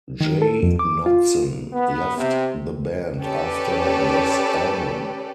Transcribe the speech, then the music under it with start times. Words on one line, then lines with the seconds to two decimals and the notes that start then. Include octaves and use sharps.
J. Knutson left the band after this album.
0.21 D#3
0.42 A4
0.63 F2
0.79 D6
1.06 F4
1.73 B3
2.18 C3
3.22 C#4 G4 A4 B4 D5